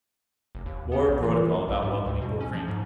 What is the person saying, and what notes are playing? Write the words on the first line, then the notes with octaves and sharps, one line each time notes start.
More protocol about welcoming Gorkrink.
F1
D#2
B3
A#1
E3
A#1
G#2
D2
B2
C#4
F3
G#2